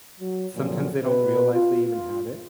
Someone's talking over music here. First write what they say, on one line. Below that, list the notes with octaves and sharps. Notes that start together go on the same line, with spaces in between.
sometimes they don't realize they even have it,
F#3
F#2 A#2 D3 F3 F#3
B2 B4
F4